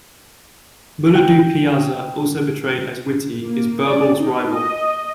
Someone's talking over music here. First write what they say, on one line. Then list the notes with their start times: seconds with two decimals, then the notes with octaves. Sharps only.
Mulla Do-Piyaza, also portrayed as witty, is Birbal's rival.
1.15 G5
3.45 A#3
3.88 D5
4.20 D#4
4.52 D#5